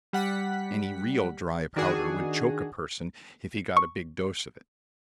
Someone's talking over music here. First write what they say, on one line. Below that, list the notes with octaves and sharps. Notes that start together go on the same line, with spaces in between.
Any real dry powder would choke a person if he got a big dose of it.
G3 F#5 B6
D#3 D4 F#4 G#4
C#6